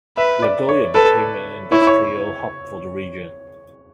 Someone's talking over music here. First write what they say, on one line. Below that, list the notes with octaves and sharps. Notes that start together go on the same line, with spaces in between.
Nagoya became an industrial hub for the region.
B4 E5
D5
C#5
A4 B4
E4 C#5
C#5